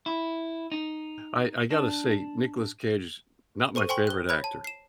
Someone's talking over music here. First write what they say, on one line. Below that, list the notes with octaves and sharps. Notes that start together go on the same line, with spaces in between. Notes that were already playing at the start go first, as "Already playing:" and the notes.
I I gotta say Nicolas Cage is not my favorite actor.
E4
D#4
D4
A4 C5 C#6 D#7
C5 G5 G#5 C6 C#6
F#6 G7
C#5 B5 G#6
A5
C7 E7